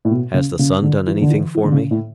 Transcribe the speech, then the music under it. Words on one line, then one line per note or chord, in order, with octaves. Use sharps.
Has the sun done anything for me?
A2
B2
C#3
C#3
D3
E3
D3
E3
E3
D3
C#3
A2